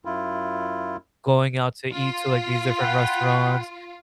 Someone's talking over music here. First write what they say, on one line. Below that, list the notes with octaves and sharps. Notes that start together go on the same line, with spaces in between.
going out to eat to, like, these different restaurants,
F#2 E4 F4
F4
F#5 G5 B5